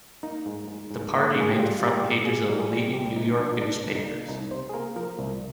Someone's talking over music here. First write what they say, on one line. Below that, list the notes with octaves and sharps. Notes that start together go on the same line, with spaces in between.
The party made the front pages of the leading New York newspapers.
A#3 D#4
G#2
G#2
G#2
A#3
G#2 G#4
G4
G3 F4
G3
G4
G#2
A#3 G#4
G3 A#4
G#4
G3
C2 G4
C2 D#4
F3 D4
D#4
C2 D4
C2 D4
D#4
A#3
C2 D#4
C3 C5
G#4
A#3 A#4
F3 A#4
C2